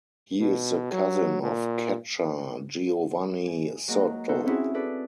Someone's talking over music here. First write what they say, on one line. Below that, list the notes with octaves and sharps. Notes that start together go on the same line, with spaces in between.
He is the cousin of catcher Geovany Soto.
B2
F#3
A#2
G#5
F#3 G#3 A#3
B3 D#4 F#4 A4 C5
C4 C#4 E4 F#4 G#4
G#4 A4 B4 D5